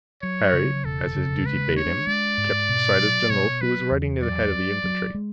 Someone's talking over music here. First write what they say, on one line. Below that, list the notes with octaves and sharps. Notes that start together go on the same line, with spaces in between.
Harry, as his duty bade him, kept beside his general, who was riding near the head of the infantry.
F#3 C#5
C#3
E1 A4
C#3
G#3 B4
D4 C#5
G#3 D5
G#2
B2
F#3
B2 C#5
F#3 B4
E2
F#3 D5
F#3
F#3
G#3